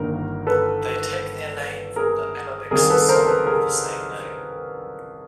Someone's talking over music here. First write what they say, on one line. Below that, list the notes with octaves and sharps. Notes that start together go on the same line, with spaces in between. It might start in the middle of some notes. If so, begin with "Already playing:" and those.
They take their name from the Amebix song of the same name.
Already playing: G1 G2 D#3 G3 A#3 A#4
A4 B4
G#4 A#4
C2 C3 D#3 G3 G#4 A#4
A4 B4
A#4 C5
A4 B4
G#4 A#4